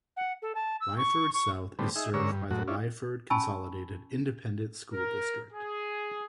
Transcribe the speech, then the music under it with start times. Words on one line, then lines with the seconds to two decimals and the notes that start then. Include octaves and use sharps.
Lyford South is served by the Lyford Consolidated Independent School District.
0.17 F#5
0.42 A4
0.55 A5
0.81 E6
0.97 C#6
1.34 C#6
1.79 D3 G3 A3 B3 C4
1.96 D#4 G#4 E5
2.14 G#2 D3 C#4 A#4 C#5 E6
2.32 G2
2.51 F#2 A2 F#4
2.67 C#4 D4 E4 F4
3.30 C#4 G#5 A5 B5 C#6 E6
4.93 A#4
5.53 G#4